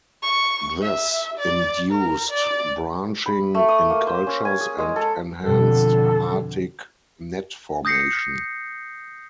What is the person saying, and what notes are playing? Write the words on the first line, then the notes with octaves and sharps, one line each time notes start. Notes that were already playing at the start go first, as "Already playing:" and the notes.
This induced branching in cultures, and enhanced Hartig net formation.
C#6
E5
D5
A#4
D5
B5
A3
D#6
A#3
C5
C#4
G#5
G#4
G#3
A4
F2 B2 D3 A4
D#6 G6 A#6 C7 C#7